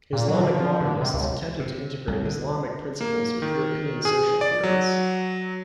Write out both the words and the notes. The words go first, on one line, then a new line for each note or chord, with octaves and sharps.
Islamic Modernists attempted to integrate Islamic principles with European social theories.
A#2
F#3
D3
F3
D3
C3
C#2
C3
C2
D3
A#3
D#3
G#4
D5
F#3